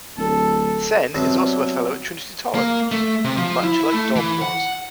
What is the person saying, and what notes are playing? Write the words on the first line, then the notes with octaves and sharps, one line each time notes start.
Sen is also a fellow at Trinity College, much like Dobb was.
D1 A4
C3 F#3 G3 B3 C4 D4
A#3
A3
C3
F3
E4
A3
E3
F#5